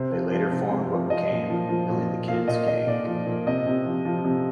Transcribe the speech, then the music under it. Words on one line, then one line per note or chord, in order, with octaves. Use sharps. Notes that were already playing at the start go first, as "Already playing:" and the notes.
They later formed what became Billy the Kid's gang.
Already playing: C3 C5
F3
F3
C3
C3
F3
F3 D#5
A#2
F3
F3
A#2
A#2
A#2 F5
A#2 D#5
A#2 D#5
A#2 D5
F3
A#2
C3 D#5
C3
F3
F3
C3